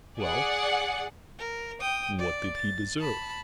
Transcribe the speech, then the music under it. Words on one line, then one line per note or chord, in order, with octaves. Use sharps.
Well--what did he deserve?
G#4 D5 F#5
A#4
G5 D#6
D5
A6
A5 B5